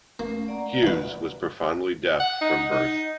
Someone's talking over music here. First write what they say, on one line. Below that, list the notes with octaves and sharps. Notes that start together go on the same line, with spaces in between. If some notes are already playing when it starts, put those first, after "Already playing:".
Hughes was profoundly deaf from birth.
A3 A#3 C#4
D5 F#5 A#5
A1 B4
F#5
D#4
D#4